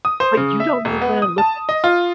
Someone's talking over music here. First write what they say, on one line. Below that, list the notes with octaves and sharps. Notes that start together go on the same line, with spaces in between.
But you don't even look at
D#6
C5
C#3
E5
E1
B3
D#6
A5
D#5
F4